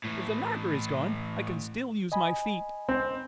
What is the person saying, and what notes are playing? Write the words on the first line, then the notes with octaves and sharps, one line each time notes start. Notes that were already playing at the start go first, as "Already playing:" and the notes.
"If the knocker is gone, I can still use my feet."
A2 E3
D#5 G#5 B5
C4